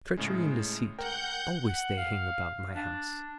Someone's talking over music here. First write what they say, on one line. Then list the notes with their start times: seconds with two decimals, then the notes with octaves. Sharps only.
Treachery and deceit--always they hang about my house.
0.17 A2 C#3 G#3
0.99 A#4 F#5 G5 G6
1.67 F#5
1.97 F5
2.75 D4